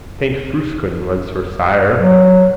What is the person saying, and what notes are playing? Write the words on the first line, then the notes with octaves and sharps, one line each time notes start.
Saint Frusquin was her sire.
F#3